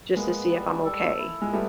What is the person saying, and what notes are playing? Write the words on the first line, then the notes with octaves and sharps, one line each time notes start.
just to see if I'm okay.
G#3 A#3 B3
G3
A4
E4
G#3
G3 A3 B3